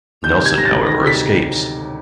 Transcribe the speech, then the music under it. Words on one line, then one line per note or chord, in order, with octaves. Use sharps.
Nelson however escapes.
D#3 G6
C3 G6
G#6
G3 A#6
A6
D2
D#3 A#6
C3
B6